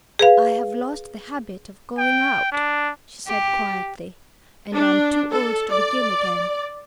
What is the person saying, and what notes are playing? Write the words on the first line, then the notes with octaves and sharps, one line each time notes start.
"I have lost the habit of going out," she said quietly, "and am too old to begin again."
G#4 B4 F5
G5
D4
G4
D4
A4
D5